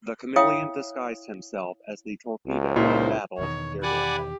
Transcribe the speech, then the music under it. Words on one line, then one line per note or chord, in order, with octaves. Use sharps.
The Chameleon disguised himself as the Torpedo and battled Daredevil.
E4 C#5 E5 F5 G5 D#6
C#2
A#2 D#4 E4 C5
E2 B2 D#3 C#5
G4 D5 F#5 G#5 B5